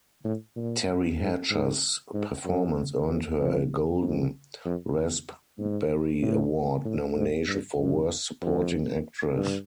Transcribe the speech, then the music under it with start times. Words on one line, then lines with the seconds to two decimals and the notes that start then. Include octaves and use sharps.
Teri Hatcher's performance earned her a Golden Raspberry Award nomination for Worst Supporting Actress.
0.24 A2
0.56 A#2
1.19 G#2
1.50 G#2
2.13 G#2
2.44 F#2
3.08 F2
3.39 F2
4.02 F2
4.65 F2
5.59 G#2
6.22 A2
6.85 A2
7.16 G#2
7.47 G2
7.78 F#2
8.42 F2
9.36 G2